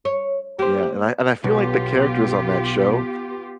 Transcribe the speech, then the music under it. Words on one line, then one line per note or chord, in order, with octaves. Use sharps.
Yeah, and I and I feel like the characters on that show,
C#5
A#3 G4 C5
B1 B3 F4 G4